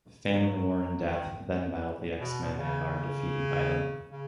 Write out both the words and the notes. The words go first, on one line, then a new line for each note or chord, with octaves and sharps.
Famine, War, and Death then battle the X-Men and are defeated by them.
F#3
D#3
B2
A#2
B2
C#3
C#3